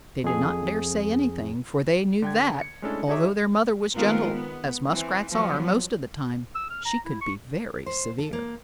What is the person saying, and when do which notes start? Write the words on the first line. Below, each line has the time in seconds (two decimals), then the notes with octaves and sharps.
They did not dare say anything, for they knew that, although their mother was gentle, as Muskrats are most of the time, she could be very severe.
0.24 F2 G#4
2.22 D3 G5 G#6
2.61 C#7
2.82 G#3 A3 C#4 D4 E4 A4
3.07 D#4 F#4 G#4 C#5 E5 D6
3.94 D#3 G#3 B3 C4 F4 A#4
4.33 B3
4.88 E3 C4
5.30 F3 F#3 B3
6.55 E6
6.70 F6
6.85 A#5
7.05 E4
7.21 C#6
7.86 C5
8.18 A4
8.33 A#3